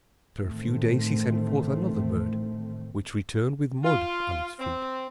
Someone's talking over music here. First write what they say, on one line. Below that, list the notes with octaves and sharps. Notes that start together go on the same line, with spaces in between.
After a few days he sent forth another bird, which returned with mud on its feet.
A1 A2 D#3 A3 C4
F4
C4